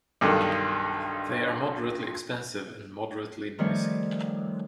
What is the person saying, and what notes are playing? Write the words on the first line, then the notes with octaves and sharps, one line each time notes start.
They are moderately expensive and moderately noisy.
B1 G2 D3 D#3
D#3 F3 G3 A3 C4 C#5